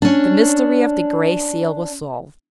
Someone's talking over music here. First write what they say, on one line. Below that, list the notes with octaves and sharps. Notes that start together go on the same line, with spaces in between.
The mystery of the Gray Seal was solved!
C#4 D4